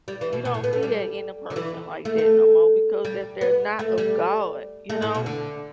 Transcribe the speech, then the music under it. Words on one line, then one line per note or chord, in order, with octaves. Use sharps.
you don't see that in a person like that no more because if they're not of God, you know?
G3
E3
B2
B2
A2
B3
A3
G3
D3
E3
A3
A3
G3
B3
A3
G3
A3
A2
B2
D3